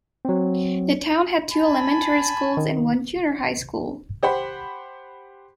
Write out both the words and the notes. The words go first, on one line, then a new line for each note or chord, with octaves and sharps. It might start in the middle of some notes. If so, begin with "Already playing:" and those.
The town had two elementary schools and one junior high school.
F#3 C4
G#5 A5 B5
D#3
G4 C5 F#5 B5